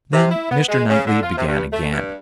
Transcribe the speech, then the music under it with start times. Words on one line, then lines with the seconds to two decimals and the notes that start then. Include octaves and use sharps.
Then Mr. Knightley began again.
0.12 C3
0.31 E4
0.51 B3
0.68 G#3
0.89 C#3
1.06 D3
1.23 F4
1.37 C3
1.48 G2
1.71 A3
1.92 G2